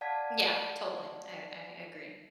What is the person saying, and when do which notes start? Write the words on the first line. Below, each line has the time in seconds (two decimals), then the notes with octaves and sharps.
Yeah, totally. I I agree.
0.01 D5 F5 F#5 A5 G#6 B6